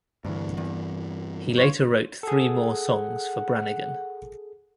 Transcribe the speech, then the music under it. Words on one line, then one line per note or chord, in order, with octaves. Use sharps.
He later wrote three more songs for Branigan.
D2 G2 E3
E2
F4 C#5
G#4 A4 F#5